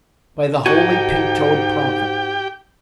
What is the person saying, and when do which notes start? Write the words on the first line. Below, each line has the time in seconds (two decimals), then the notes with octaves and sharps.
By the Holy Pink-toed Prophet!
0.66 G#2 D#4 F#4 G4 A4 G5 G#5